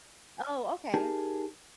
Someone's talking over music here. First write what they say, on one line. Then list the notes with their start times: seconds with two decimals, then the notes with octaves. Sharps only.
Oh, okay.
0.94 D#4 G4 G#4 A#4 A5